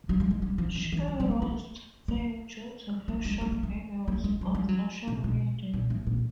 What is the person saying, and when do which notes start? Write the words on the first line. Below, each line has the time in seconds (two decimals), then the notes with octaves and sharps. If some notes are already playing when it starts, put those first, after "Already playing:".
She rose to fame due to her short videos on social media.
0.09 F#3
0.20 G3
0.31 G#3
0.42 G3
0.58 F3
0.75 D#3
0.92 E3
1.08 F3
1.20 G3
1.31 G#3
1.42 A3
2.08 A#3
3.08 A3
3.25 G#3
3.41 A3
3.52 A#3
3.63 A3
4.08 A3
4.24 G#3
4.41 F#3
4.55 G3
4.69 F#3
5.08 C3
5.24 B2
5.74 B2
5.90 A2
6.07 A#2